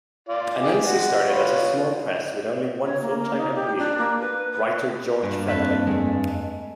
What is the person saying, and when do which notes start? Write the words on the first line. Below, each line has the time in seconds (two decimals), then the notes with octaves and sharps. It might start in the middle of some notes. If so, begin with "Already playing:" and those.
Anansi started as a small press with only one full-time employee, writer George Fetherling.
0.29 F4 D5
0.62 G4 G#4 D5
0.85 G#3 F#4
1.30 F4 B4 C#5
2.86 C#5
3.02 A#3
3.18 A#3
3.37 D#4
3.55 G4
3.78 D4
3.98 A#3
4.20 B4
4.52 B4
5.23 G2 A#3
5.48 F2 A4 B4 E5
5.87 G#3 A3